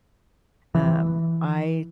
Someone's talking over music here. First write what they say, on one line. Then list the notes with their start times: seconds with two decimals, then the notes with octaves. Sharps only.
Um, I
0.75 E3